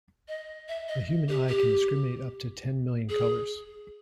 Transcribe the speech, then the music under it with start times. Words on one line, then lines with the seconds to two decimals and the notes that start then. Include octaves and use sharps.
The human eye can discriminate up to ten million colors.
0.28 D#5
0.68 E5
0.88 D#5
1.29 G4
1.49 G4
3.09 G#4